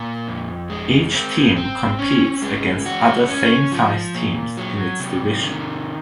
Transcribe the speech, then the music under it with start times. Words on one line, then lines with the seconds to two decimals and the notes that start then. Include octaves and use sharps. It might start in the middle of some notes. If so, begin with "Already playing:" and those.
Each team competes against other same-sized teams in its division.
Already playing: A#2
0.28 F2
0.70 G#3
1.14 C4
1.56 C4
1.99 C#4
2.42 G#3
2.85 F#4
3.29 C#4
3.72 F3
4.15 A#2
4.57 F#3
5.00 C3
5.43 D#3